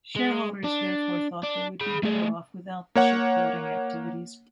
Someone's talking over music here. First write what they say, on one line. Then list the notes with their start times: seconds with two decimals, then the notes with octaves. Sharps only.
Shareholders therefore thought they would be better off without the shipbuilding activities.
0.16 G#3
0.64 D4
1.43 D4
1.81 G#4 B5
2.03 A3 G#4
2.95 A#3 C#5 F#5